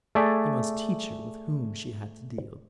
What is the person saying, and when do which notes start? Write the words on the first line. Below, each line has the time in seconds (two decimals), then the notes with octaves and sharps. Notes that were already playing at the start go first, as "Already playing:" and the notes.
He must teach her with whom she had to deal!
0.15 A3 G#4 D5 E5 G#5